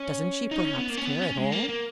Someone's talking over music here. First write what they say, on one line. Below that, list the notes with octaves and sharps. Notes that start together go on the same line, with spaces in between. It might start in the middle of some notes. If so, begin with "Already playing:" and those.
Doesn't she perhaps care at all?
Already playing: C#4
D#4
C#4
B3
A#3
C#4
B3
C#4
G#3
A#3
A#3